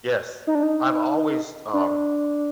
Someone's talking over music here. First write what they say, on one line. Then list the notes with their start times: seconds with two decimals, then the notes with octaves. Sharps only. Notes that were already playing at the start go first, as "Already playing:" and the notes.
Yes, I've always, um,
0.47 D#4
0.55 D4
0.63 D#4
1.73 D4